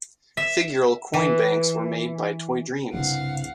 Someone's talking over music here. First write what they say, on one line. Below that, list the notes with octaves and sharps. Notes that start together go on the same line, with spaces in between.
Figural coin banks were made by Toy Dreams.
E5
E3
C2 G2 C#3 F5 F#5